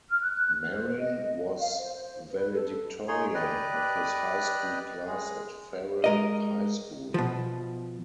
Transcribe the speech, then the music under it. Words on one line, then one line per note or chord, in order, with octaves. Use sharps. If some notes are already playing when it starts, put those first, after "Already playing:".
Marin was valedictorian of his high school class at Farrell High School.
F6
F#6
C5
D#5
F5
C5
B4
A4
D#4 G#4 C#5 C6
G4 B4 D5 D#5
G#3 G#4
G#3 A#4 D#5
B2 F3